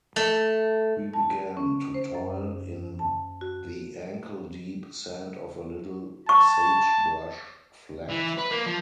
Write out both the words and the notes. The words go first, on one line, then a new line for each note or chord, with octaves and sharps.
We began to toil in the ankle-deep sand of a little sagebrush flat.
A3
A5
C#4
C5
F#2
A5
F#4
A5 C#6
E3
B4
A#3
F3